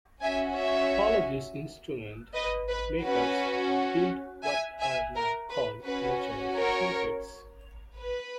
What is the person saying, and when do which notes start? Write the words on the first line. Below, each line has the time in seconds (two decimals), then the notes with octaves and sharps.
All of these instrument makers built what are now called natural trumpets.
0.22 C#4 F#4 E5 G#5
0.58 C#5 E5
2.34 B4 D#5
2.69 B4
3.04 C#4 F#4 B4
4.45 E5 G#5
4.80 E5 G#5
5.16 A#4
5.51 B4
5.85 C#4 F#4 B4
6.56 A#4 C#5
7.98 B4